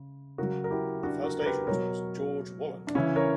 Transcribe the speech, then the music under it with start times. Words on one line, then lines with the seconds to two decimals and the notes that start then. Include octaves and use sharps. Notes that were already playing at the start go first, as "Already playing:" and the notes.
The first agent was George Wallen.
Already playing: C#3
0.38 C#3 F#3 F#4 A#4
0.64 A#4
0.71 E4 G4
1.03 D4 F#4
1.24 F#4 A#4
1.40 A#4
1.46 G4 B4
1.67 B2 F#3 A#4 C#5
2.87 D4
2.95 C#3 E3 C#4 E4
3.16 A#4 C#5